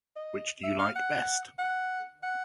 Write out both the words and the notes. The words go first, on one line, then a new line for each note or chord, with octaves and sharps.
Which do you like best?
D#5
E5
F5
F#5
F#5
F#5